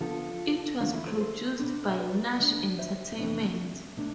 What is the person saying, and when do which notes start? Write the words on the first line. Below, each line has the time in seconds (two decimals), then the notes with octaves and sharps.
It was produced by Nash Entertainment.
0.01 D3 F3 B3 F4 A4
0.80 E2 D3 F3 A3 D4 F4
0.94 E4
1.07 A4 C5
1.20 A4 C5
1.60 B2 B3 D4
1.88 E5
1.99 B4 D5
2.39 D3 A3 D4
2.79 C5 E5
3.18 F2 C3 E3 B3 D4
3.97 B2 A3 D4